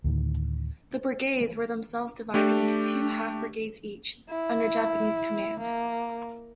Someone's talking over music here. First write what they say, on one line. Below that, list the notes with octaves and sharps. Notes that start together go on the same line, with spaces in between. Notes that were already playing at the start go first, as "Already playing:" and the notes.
The brigades were themselves divided into two half-brigades each, under Japanese command.
D2 A2 D#3
A3 D4 G4
E4
A#3